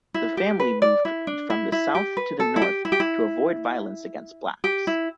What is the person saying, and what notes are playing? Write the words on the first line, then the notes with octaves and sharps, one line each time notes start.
The family moved from the South to the North to avoid violence against blacks.
E4
G4
B4
D5
E4
D4
E4
E4
G4
B4
A4
E4
G4
E4
G4
E4
G4
E4